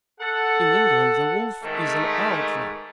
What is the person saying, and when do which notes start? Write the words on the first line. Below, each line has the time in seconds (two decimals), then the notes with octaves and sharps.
In England the wolf is an outlaw.
0.21 A4 F#5
1.63 G#2 D#3 A3